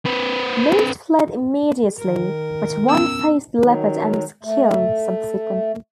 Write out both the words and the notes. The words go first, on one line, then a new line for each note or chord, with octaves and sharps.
Most fled immediately but one faced the leopard and was killed subsequently.
C4 B4
D#3 A#4
B3 C#4 E6
D#3 F#3
A3